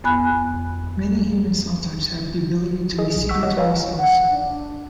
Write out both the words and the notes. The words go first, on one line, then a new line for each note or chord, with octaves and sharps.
Many human cell types have the ability to be secretory cells.
F2 B3 G#5 B5 F#6
G#4 D#5
B1
F#5 C#6 D6 E6 B6
F#4 C#5 D#5 F#5
B4 C#5 F5 G#5 A#5
F#5
D4